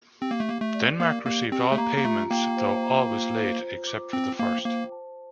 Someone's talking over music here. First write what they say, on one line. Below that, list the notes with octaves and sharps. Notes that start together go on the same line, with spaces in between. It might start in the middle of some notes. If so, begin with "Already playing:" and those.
Denmark received all payments, though always late except for the first.
C4 G4
A#3
A3
A#3 G4
A3
D5
A#3 A#4
A#3 G4
C4 G4
A3
A#3 A#5
A#3
A3 F4
A#3 G5
C5
A#5
F4
C5
C5
D6
C4 G5
A#3 C5
A#3 C5
A5